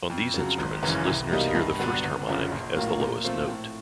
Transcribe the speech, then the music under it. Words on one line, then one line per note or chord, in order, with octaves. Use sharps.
On these instruments, listeners hear the first harmonic as the lowest note.
F2
C#3 F#3
G#1
F#2 C#3 E3
C2
B2 G3 A#3 D#4
G2
D3 F#3 B3 D4
G1
F#2 C#3 F3
A#1
A2 F#3 A#3
A#2
F3 A3 C4 F4
A2